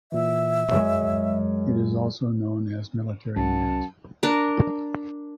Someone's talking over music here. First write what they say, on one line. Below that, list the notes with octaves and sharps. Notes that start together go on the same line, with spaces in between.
It is also known as Military Net.
A#2 E3 E5
F#2 G#3 C#5
C2 F#2 C#4 F#5 A5
D4 A#4